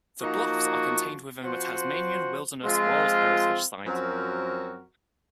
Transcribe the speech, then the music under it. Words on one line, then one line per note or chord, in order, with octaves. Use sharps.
The bluffs are contained within the Tasmanian Wilderness World Heritage Site.
F3 A#3 D#4 F#4
F3 C4 F#4 C5
F3 G#3 C4 F4
F#2 F3 C4 F#4 A#4